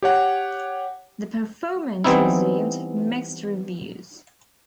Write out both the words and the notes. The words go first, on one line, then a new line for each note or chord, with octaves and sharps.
The performance received mixed reviews.
G4 C#5 F#5
E3 G3 B3 C4 D#4 E4